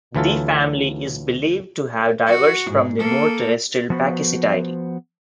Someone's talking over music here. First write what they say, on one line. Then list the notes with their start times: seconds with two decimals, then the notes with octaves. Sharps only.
The family is believed to have diverged from the more terrestrial Pakicetidae.
0.15 D2 E3 F#3 F4 A4
2.26 F#4
2.70 G#2
2.99 A#3 A4
3.90 F3 A3 B3 F#4 B4 C5